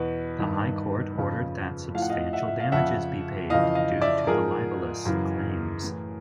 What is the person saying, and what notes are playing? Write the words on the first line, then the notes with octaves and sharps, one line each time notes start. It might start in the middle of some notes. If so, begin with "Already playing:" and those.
The High Court ordered that substantial damages be paid due to the libellous claims.
Already playing: E2 B2 B4
G2 D#3
F2 C#3 F3
A2 F3 F5
F#5
D#5 F5
E5 F#5
E5
F5
F2 C#3 F3 E5 F#5
F2 C#3 E3 D#5 F5
D#5 F5
D5 E5
G#2 F3 G#4 A#4
F#2 C#3 E3
A2 E3